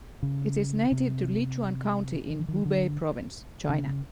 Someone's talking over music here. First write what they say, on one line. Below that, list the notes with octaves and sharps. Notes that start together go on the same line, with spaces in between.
It is native to Lichuan county in Hubei province, China.
C#3
C3
D#3
E3
D#3
D3
C#3